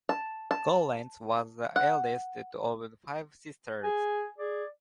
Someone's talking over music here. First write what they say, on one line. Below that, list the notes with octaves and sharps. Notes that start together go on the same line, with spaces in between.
Gollancz was the eldest of five sisters.
A5
A5
F#5
G#4 G#5
G#4 D5